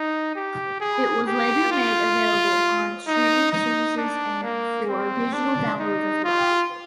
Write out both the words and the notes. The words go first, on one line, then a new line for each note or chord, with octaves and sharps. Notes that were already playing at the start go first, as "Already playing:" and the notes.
It was later made available on streaming services and for digital download as well.
Already playing: D#4
G4
G#4
G4
F4
D#4
D#4
D4
A#3
C4
D4
D#4
F4